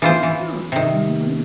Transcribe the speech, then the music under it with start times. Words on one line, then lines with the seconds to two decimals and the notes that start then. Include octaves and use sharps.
Me too. Mhm.
0.02 E3 F4 C5
0.23 E3
0.72 C3 D#3